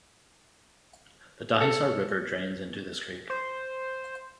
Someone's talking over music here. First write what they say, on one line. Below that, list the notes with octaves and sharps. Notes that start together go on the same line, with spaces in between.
The Dahisar River drains into this creek.
A4
C5